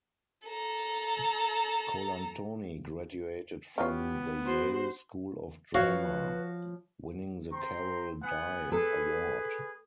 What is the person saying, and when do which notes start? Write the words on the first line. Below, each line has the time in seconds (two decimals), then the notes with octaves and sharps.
Colantoni graduated from the Yale School of Drama, winning the Carol Dye Award.
0.48 A4 A#5
3.78 B3 C#4 F4 G4 C#5
4.46 F#4 C5
5.75 F3 F#4 B4 C#5 F5
7.52 C4 A#5 C6
8.23 B3 F#5 G#5
8.72 G#4 A4 B4